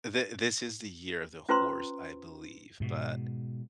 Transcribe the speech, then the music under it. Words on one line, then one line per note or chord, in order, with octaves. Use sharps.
The this is the year of the horse, I believe, but,
C#4 F4 B4 C5 A#5 C6
G#2 B2